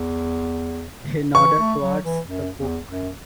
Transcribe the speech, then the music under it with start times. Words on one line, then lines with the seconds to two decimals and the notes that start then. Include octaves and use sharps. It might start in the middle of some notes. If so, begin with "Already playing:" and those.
He nodded towards the book.
Already playing: E2
1.35 E3 C#6
1.58 A3
1.82 F#3
2.04 E3
2.27 F#2
2.57 E2
2.89 F#2